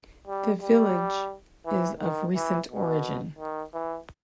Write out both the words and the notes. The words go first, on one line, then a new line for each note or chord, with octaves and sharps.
The village is of recent origin.
G3
G3
E3
D#3
E3
B2
D#3
E3